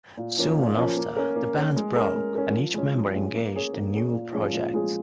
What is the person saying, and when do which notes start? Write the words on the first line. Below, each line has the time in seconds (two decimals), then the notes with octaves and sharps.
Soon after, the band broke, and each member engaged in new projects.
0.17 A#2
0.37 F3 A#3 C#4
0.58 A#2
0.77 F3 A#3 C#4
0.97 A#3
1.17 C#4 A#4
1.36 A#3
1.56 C#4 A#4
1.76 G#3
1.96 C#4 A#4
2.15 G#3
2.35 C#4 A#4
2.55 F3
2.74 G#3 C#4
2.95 F3
3.14 G#3 C#4
3.34 A#3
3.54 C#4 G#4 C#5
3.73 A#3
3.94 C#4 G#4 C#5
4.13 A#2
4.32 F3 G#3 C#4 G#4
4.52 A#2
4.72 F3 G#3 C#4 G#4